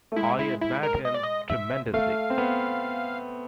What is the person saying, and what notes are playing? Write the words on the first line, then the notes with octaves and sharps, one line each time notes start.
I admired him tremendously.
A3
G#3 E4
E4
E4
A#4
D#5
D5
D#5
E5
A3 F5
C4
B3